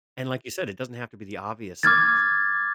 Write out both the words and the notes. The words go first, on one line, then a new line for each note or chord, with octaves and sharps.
and like you said, it doesn't have to be the obvious things,
D6 F6 G#6 A6